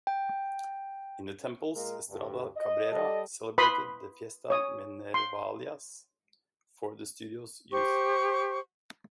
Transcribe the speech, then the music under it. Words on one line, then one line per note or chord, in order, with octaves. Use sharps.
In the Temples, Estrada Cabrera celebrated the "Fiestas Minervalias" for the Studious Youth.
G5
A#2 G#3 A#3 A#4
D2 G2
D#5
G3 A4 D5 D#5
B4 B5 C6 D#6
C#5 D#6
C6
G4 C5 C#6